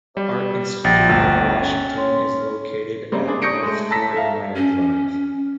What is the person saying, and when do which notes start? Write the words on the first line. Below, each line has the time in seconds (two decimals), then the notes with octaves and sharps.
The Art Institute of Washington is located at North Fort Myer Drive.
0.17 G3
0.84 A#1 G5 A6 A#6
1.09 G1 D2
1.62 C#4
1.97 C#5 C6
3.12 C#3 G3 A#3 C4
3.28 D4 G#4
3.42 C#6 D#6 G6 A#6 C#7 D7
3.62 G#3 A3
3.91 A5 A#5 E6 A#6 B6
4.15 A4 E5 F5
4.56 C#4